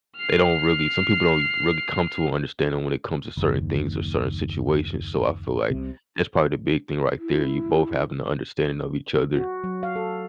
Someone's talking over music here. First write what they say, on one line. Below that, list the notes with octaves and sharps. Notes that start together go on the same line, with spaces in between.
they don't really some people don't really come to an understanding when it comes to certain things or certain situations, so I feel like that's probably the big thing right there. You both have an understanding of each other,
F6 C7
F#1 D#2
C2 C3
E4
F#4
F#3
F5
A4